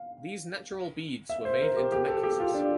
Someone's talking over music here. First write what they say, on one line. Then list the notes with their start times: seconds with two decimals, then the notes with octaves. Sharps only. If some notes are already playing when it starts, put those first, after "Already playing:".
These natural beads were made into necklaces.
Already playing: F5
1.29 E5
1.45 C5
1.61 A#4
1.77 G4
1.92 G4
2.08 A4
2.23 G4
2.39 F4
2.54 D4